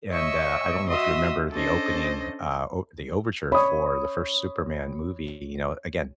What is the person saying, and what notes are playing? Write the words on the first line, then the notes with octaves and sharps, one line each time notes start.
and, uh, I don't know if you remember the opening, uh, o the overture for the first Superman movie, you know, again,
C#5 D#5 E5 C#6 E6
F#4 D#5 E5 C6 D#6
C#4 D4 A4 C5 D#5
C#5 B5 D#6